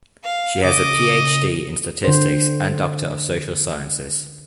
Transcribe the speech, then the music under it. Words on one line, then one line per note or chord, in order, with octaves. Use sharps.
She has a Ph.D in Statistics and Doctor of Social Sciences.
F5
C#3 D#5 D6
D3 C5